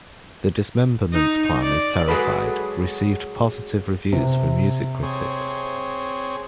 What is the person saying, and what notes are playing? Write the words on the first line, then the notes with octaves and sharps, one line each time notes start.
"The Dismemberment Plan Is Terrified" received positive reviews from music critics.
D#4
D5
F#3 G#3 F#4 G#4 A4 B4
C3
C4 G#4 C#5